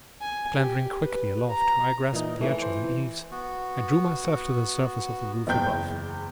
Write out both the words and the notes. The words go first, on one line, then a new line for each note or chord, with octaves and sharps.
Clambering quickly aloft I grasped the edge of the eaves and drew myself to the surface of the roof above.
G#5
G4
B4
A#5
A#2 E3 D#4
E3 A3
C5
B3 F#4
F#1 E2 G5 G6